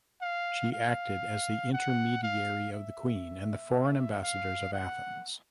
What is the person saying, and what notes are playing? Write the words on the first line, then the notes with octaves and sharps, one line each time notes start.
She acted as the intermediary of the queen and the foreign ambassadors of Athens.
F5
F5
F#5
F5
E5
F5
F#5